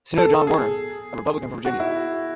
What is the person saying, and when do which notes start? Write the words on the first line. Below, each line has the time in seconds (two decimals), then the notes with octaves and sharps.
Senator John Warner, a Republican from Virginia.
0.17 A4
0.47 G#4
1.65 F#4
1.80 E4